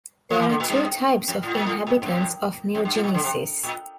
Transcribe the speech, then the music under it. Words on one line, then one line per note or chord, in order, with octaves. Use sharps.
There are two types of inhabitants of New Genesis.
F3
E3
D3
A#2
G2
F2
A2
A#2
A2
A#2
G2
F2
F2
G2
A2
A#2
D3
C3
A#2